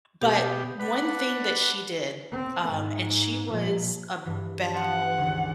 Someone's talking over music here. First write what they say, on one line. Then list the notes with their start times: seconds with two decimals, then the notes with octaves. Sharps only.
but one thing that she did, um, and she was about
0.21 B2 G4
0.80 D4 B4 F#5
2.32 C4
2.68 G#2
3.47 A#2 F3
4.25 G2 E3
4.76 F#5 C6
5.18 G1 C#2 D#3